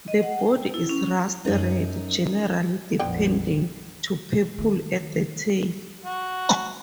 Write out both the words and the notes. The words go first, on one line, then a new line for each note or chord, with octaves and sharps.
The body is rust red, generally deepening to purple at the tail.
D#5
F#5
G5
E4
C#4
F#2 D#4
A#1 F2 A#2 D3 B3 G5
D#3 A3
F#4